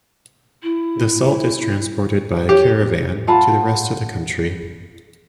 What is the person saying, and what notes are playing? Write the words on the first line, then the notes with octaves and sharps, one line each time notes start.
The salt is transported by caravan to the rest of the country.
E4
G4 C#5
F4 F#5 A5 B5